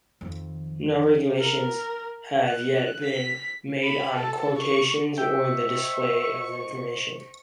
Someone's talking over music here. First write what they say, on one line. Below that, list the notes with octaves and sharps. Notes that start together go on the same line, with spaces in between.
No regulations have yet been made on quotations or the display of information.
F2 D#3
A#4
F#6
B6
B5
A4
C#6
C5 D#5 E5 G5 C#6